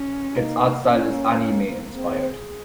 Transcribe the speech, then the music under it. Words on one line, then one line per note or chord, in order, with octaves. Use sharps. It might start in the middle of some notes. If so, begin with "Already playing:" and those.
Its art style is anime-inspired.
Already playing: C#4
A#3 D#4
A#3 C#4
C4 G#4